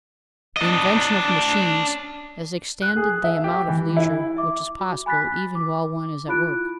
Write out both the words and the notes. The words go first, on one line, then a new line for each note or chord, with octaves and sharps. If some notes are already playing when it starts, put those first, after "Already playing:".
The invention of machines has extended the amount of leisure which is possible even while one is at work.
D4 D#5
F#6
G#4
E5
G4
E3
E4
E5 D6
F#4
G#5 B5 F#6 A6 B6
D6
E4 F4 B5 F#6 D7